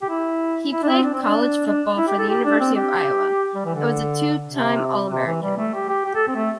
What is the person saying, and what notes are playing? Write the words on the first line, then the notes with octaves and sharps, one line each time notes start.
He played college football for the University of Iowa, and was a two-time All-American.
G4
E4
E4
D4
C4
D4
C4
D4
D4
E4
G4
A4
G4
D4
C4
G4
G3
E3
D3
C3
C3
E3
G3
A3
G4
G4
G4
A4
C4
A3